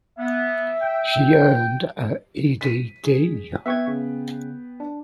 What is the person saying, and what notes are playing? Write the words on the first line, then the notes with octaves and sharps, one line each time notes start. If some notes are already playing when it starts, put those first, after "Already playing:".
She earned a Ed.D.
B3 E5
G5
B6 D#7
G#4
B3 B4 E5 G5 C#6 G#6
C#3
D4